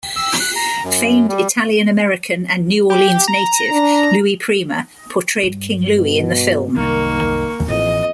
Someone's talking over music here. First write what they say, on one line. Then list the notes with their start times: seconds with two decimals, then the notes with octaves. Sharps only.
Famed Italian-American and New Orleans native Louis Prima portrayed King Louie in the film.
0.16 E6
0.40 F#6
0.56 A#5
0.84 F#2
1.28 G3
2.90 G4
3.28 A#5
3.71 D4
5.43 G2
5.96 B2
6.76 C2 F#2 D#3 A#3 C#6
7.68 A1 F2 E3 D#5